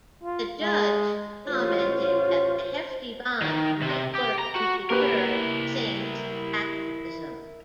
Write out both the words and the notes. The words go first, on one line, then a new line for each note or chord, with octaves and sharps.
The judge commented that the "hefty bond" might work to deter Singh's activism.
F4
G#3
A1 F4 F#4 C5 C#5
D#3
C3
G4
A#5
F#4
A#3 E4 G4 A#4 B4